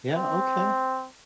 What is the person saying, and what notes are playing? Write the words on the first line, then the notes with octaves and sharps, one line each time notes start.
Yeah, okay,
C4